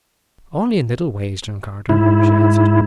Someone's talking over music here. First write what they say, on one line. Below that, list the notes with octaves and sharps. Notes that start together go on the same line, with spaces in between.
"Only in little ways, John Carter," she answered.
G#2 E4